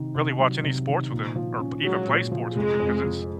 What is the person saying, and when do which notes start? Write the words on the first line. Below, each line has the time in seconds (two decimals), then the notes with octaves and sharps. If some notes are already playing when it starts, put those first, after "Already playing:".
really watch any sports with them, or p even play sports with them, 'cause it's
Already playing: C3 D#3
0.15 C3
0.40 F#3
0.64 C3
0.88 D#3
1.11 A#2
1.36 F3
1.60 C#4
1.83 F#3 G#3
2.08 A#2
2.32 F3
2.55 F1 G#3
2.80 F2
3.04 F3